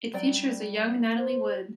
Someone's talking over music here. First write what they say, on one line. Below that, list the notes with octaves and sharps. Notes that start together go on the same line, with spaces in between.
It features a young Natalie Wood.
F#3 G3 D5 G5
C5